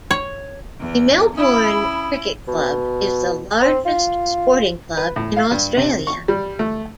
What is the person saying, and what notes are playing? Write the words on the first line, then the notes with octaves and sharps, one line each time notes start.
The Melbourne Cricket Club is the largest sporting club in Australia.
C#5
E2
C#4 E4 B5 D#6
B2
C4
F4
B4
A2
F5
G2
C3
C#6
G3
A3